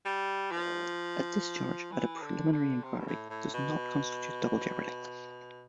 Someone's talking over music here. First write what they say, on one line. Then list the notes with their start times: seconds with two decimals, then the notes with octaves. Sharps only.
A discharge at a preliminary inquiry does not constitute double jeopardy.
0.05 G3
0.51 F3
1.91 E3
2.22 D3
2.52 D3
2.83 C3
2.98 G2
3.07 A2
3.29 A2
3.53 B2